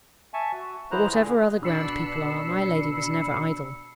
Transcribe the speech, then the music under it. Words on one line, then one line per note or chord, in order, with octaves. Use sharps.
But whatever other grand people are, my lady was never idle.
E5 G#5 A5 C#6
F#4
E2 B3 E4 C5 A#5 F#6
A#2 D3 G#4
B2 D4 B5 E6 C7 C#7